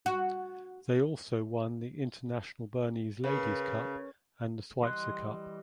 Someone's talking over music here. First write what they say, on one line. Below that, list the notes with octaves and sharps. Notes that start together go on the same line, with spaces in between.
They also won the International Bernese Ladies Cup and the Schweizer Cup.
F#4
C#3 A#4 B4
E3 G3 D#5 C6 F#6